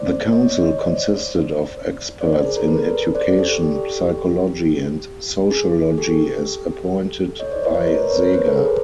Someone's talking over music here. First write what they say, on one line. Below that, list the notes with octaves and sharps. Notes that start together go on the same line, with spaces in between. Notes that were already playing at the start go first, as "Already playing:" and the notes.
The council consisted of experts in education, psychology, and sociology as appointed by Sega.
Already playing: C5 D5
C#5 D#5
C5 D5
C5 D5
C5 D5
G#4 A#4
G#4 A#4
A4 B4
C5 D5
G4 A4
G4
G#4
G4 A4
C#5 D#5
C5 D5
B4 C#5
A#4 C5
A#4 C5
B4 C#5
A#4 C5
A4 B4
G#4 A#4